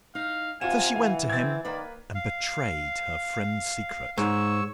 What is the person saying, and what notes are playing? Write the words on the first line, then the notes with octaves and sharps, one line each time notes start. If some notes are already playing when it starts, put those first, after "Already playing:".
So she went to him, and betrayed her friend's secret.
D#4 F5
C3 F4 F#5 G#5 E7
E3 F5
C4 G#6 A6
D#3 A#3 B4 D5
F5
G#2 C#5 C#6 E6